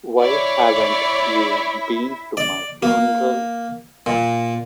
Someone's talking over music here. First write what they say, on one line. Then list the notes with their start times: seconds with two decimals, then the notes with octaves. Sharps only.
Why haven't you been to my funeral?
0.20 E4 C#5 D5
2.37 D5
2.83 A#3
4.06 A#2